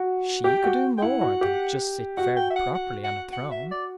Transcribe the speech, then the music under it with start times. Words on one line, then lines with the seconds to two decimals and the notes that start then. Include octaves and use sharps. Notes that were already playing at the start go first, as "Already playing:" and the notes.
She could do more than just sit very properly on a throne.
Already playing: F#4
0.44 G4 G5
0.64 F#4
0.98 G5
1.02 E4 F#5
1.21 F#4
1.41 G4
2.17 F#4 F#5
2.36 G5
2.50 E5
2.56 F#5
2.75 F#5
3.04 F#5
3.33 F#5
3.51 E5
3.71 D5